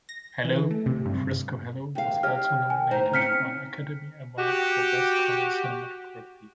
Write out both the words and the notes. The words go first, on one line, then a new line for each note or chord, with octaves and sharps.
"Hello, Frisco, Hello" was also nominated for an Academy Award for Best Color Cinematography.
A#6
E3
A3
C3
G2
D#2 F5 G5
G4 C#5 D#5 F6
D#3 G#5
A2 D#4 C5 A#5
C4 C#4 D#4 F5 F6 B6 C#7
F#4 G4